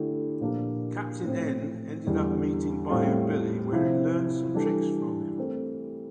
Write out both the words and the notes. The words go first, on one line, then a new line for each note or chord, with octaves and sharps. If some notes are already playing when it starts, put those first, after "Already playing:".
Captain N ended up meeting Bayou Billy where he learned some tricks from him.
Already playing: D3 A3 E4 G4
A#2 F3 A#3 D4 G4
A2 F3 C4
E2 D3 G3
A2 G3 C4 F4 A4
C3 F3 C4 E4
E3 G3 D4 A4
A3 C4 G4 A#4